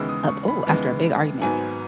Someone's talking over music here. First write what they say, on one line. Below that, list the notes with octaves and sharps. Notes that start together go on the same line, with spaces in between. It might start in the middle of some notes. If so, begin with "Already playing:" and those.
a b oh, after a big argument?
Already playing: D#2 C#3 E3 G#3 B3 E6
D#6
C#6
B5
D#2 C#3 E3 G#3 B3
G#1 G#2 F#3 B3 G#5